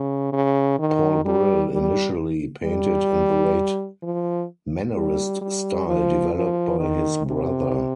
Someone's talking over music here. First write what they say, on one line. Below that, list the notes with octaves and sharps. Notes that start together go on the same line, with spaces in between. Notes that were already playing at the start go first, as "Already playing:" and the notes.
Paul Bril initially painted in the late Mannerist style developed by his brother.
Already playing: C#3
C#3
D#3
G3
G3
G3
F3
G3
G3
F3
F3
D#3
C3